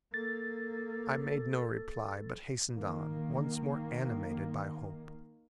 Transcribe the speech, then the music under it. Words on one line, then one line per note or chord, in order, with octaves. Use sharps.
I made no reply, but hastened on, once more animated by hope.
A#3 A4 A6
D#3 A#3